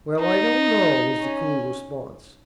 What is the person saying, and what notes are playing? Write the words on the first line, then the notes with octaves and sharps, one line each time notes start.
"Well, I don't know," was the cool response.
D#4
C#4